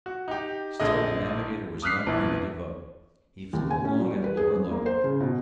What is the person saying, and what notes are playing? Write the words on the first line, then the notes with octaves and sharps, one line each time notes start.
Still the navigator was not going to give up. He flew along at a lower level.
F#4
D#4 G4
A#1 D3 G#4 D#5
D6 D#6 F6 F#6 B6 C7
A#1 E2 E3
D#2
G#5
C#4
F#3
G3
B4
G#4
F#2
A#3
C5
C#3
B2